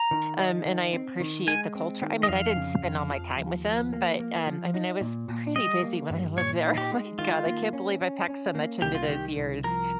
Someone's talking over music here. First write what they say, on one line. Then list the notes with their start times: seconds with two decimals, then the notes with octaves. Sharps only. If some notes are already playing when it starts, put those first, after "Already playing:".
um, and I appreciate the culture. I mean, I didn't spend all my time with 'em, but, um, I mean, I was pretty busy when I lived there. My god, I can't believe I packed so much into those years.
Already playing: A#5
0.11 D#3
0.38 D#4
0.65 D#3
0.93 C4
1.20 D#3
1.47 G#3 G#5
1.75 C4
2.02 D#3
2.23 D#5
2.29 F2 F5
2.56 C#3
2.83 F2
3.10 F3
3.38 D#2
3.65 F3
3.93 A#3
4.20 A#3
4.47 F3
4.74 D#4
5.01 A#2
5.28 A#2
5.56 G3 D#5
5.83 A#3
6.10 G2
6.37 A#2 C#5
6.65 D#4
6.78 G4
6.92 G#3
7.19 D#3 F4
7.46 A#3
7.73 C#4
8.01 C#4
8.28 C#4
8.55 A#3
8.82 C2 G4
8.95 F4
9.08 D#3 G4
9.37 C2
9.64 F3 A#4